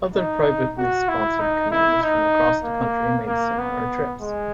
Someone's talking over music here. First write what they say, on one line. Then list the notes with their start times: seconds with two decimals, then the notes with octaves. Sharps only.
Other privately sponsored canoes from across the country made similar trips.
0.15 D#4
0.78 F#4
1.09 E4
1.39 D#4
1.71 E4
2.02 D#4
2.64 A#3
3.27 A#3
3.58 B3
4.20 G#3